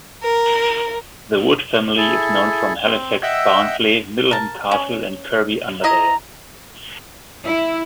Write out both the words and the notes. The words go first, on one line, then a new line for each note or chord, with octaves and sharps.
The Wood family is known from Halifax, Barnsley, Middleham Castle, and Kirby Underdale.
A#4
E4 G#4 A4
C4
D#5 E5 F#5 G5 E6
A#4 A5
C#4
E4 D#5 A#5
E4